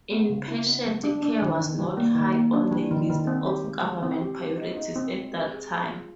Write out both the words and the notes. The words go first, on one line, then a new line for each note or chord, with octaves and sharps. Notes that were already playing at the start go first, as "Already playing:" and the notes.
Inpatient care was not high on the list of government priorities at that time.
B3
C#3
E4
B3
F#3
D4
D4
D#3
D#3
G3
A#3
D#3
A#3
D4
G3
D#3
D#3
C4
G4
G#3
G#3
C4
G4
G4
D#4
D#4
C4
G#3
G4
G#4
G#4
F4